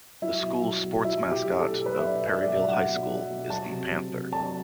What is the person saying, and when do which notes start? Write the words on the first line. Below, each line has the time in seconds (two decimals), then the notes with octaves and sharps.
The school sports mascot of Perryville High School is the panther.
0.22 F#3 E4
0.42 B2
0.63 F#3
0.84 B2
1.05 F#3 E4
1.24 B2
1.31 G4
1.45 F#3
1.59 A4
1.66 B2
1.80 A4
1.86 F#3 B4
1.99 E5
2.07 B2 D5
2.27 F#3 E5
2.42 D5
2.48 B2 E5
2.68 F#3 F#5
2.89 B2
3.09 F#3
3.30 B2
3.50 F#3 A5
3.71 C3
3.92 F#3
4.12 C3
4.33 F#3 A5